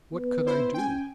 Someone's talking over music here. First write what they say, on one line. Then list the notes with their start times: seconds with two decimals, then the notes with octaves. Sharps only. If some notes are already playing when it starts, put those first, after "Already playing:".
What could I do?
0.11 B3
0.47 E4 C5
0.74 C#4 G5 G#5